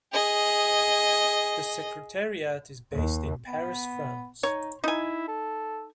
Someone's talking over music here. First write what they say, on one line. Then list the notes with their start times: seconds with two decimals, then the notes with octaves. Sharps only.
The Secretariat is based in Paris, France.
0.13 G#4 D#5
2.93 D#2
3.47 B3
4.43 D#4 C#5
4.84 D#4 E4 G#5
5.28 A4